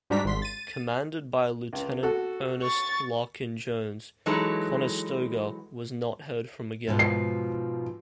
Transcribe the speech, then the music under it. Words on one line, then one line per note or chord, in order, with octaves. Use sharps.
Commanded by Lieutenant Ernest Larkin Jones, "Conestoga" was not heard from again.
G#2 G3 D4 F#4 A#5 B6
G#1 C6 B6
A6 D#7
C#2
F#4 A4
C#6 A6
E3 F#3 G#3 D#4 A4 B4
G#2 B2 F3
C7